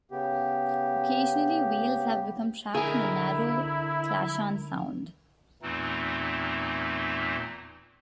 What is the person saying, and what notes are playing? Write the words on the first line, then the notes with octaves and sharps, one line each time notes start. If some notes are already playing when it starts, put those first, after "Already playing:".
Occasionally whales have become trapped in the narrow Clachan Sound.
C#3 B3 G4
D3 E4 G#4 A#4
E2 A#2 E3 A3 C4 D#4